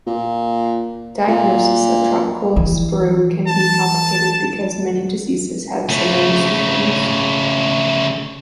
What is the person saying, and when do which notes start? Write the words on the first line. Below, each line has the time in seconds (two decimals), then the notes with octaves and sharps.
Diagnosis of tropical sprue can be complicated because many diseases have similar symptoms.
0.07 A#2
1.28 A#2
2.56 E3
3.47 A5
5.89 C#3 A3